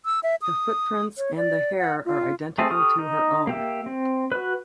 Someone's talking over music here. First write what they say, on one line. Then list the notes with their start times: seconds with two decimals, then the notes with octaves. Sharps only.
The footprints and the hair are identical to her own.
0.05 E6
0.23 E5
0.42 D#6
1.18 C#5
1.37 D5
1.79 F#5
2.05 F4
2.58 A3 C4 G#4 A4
2.70 G4 A4 C#6 D#6 F6
2.99 D#4
3.47 A#3 G4 E5
3.86 C4
4.32 F#4 B4